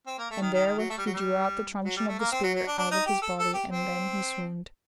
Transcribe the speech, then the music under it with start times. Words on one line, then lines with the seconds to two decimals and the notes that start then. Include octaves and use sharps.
And therewith he drew out the truncheon of the spear out of his body: and then he swooned.
0.07 C4
0.18 A#3
0.31 A3
0.41 D#3
0.53 D#3
0.66 D#3
0.78 F#3
0.90 A3
0.98 G3
1.06 F#3
1.14 G3
1.85 F#3
1.96 G3
2.08 A3
2.19 A#3
2.32 C4
2.43 F#3
2.55 F#3
2.67 D4
2.78 D4
2.91 D#4
3.06 G4
3.22 A4
3.39 A4
3.54 G4
3.70 C4